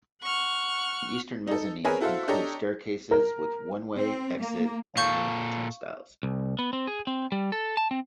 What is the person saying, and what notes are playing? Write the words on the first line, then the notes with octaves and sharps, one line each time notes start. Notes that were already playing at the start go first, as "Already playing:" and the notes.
The eastern mezzanine includes staircases with one-way exit-only turnstiles.
F#5 C#6 F6
D#4 A4
C4 G#4 A#4 B4 C#5 G#5
E4 F#4 A4 C5 E5 F5
D4 G4 A4 C#5 D#5 A#5
A#4
C4
A#3
A#2 A4 F5 C#6 G6
C2
B3
C4
G#4
C4
G3
A4
A5
C4